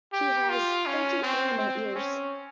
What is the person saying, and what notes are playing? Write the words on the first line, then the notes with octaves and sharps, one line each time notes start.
He has "pointed animal ears".
G4
F4
C#4
C4
C4
C#4